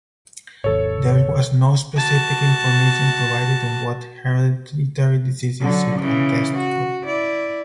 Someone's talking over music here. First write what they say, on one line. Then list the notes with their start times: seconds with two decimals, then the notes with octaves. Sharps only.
There was no specific information provided on what hereditary diseases it can test for.
0.64 G#1 D#2 A4 C#5
1.96 F#4 A5
5.61 D3 F#3
5.99 C#3 E3
6.57 F#4
7.04 E4 D5